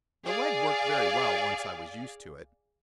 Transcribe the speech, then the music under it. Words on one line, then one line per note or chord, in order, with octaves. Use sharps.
The leg worked very well, once I was used to it.
G#4 D5 F5